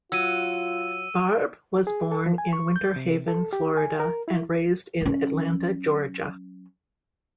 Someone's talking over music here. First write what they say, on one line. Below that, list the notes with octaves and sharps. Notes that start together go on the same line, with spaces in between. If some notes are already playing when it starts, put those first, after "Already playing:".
Barbe was born in Winter Haven, Florida, and raised in Atlanta, Georgia.
F#3 F4 E6 D#7
G#4
A4
F3
G#5
C#6
G6
C3
A4
G4
G#5
A#4
E4
F#3 C#4